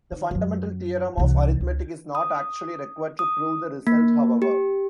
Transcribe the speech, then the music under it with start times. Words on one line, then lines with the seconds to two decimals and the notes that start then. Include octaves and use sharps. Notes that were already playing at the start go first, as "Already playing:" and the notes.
The fundamental theorem of arithmetic is not actually required to prove the result, however.
0.11 D#3
0.31 F#2 F#3
1.18 C2 E3
1.61 C#2
2.15 D#6
3.19 D#6
3.87 A#3
4.42 G4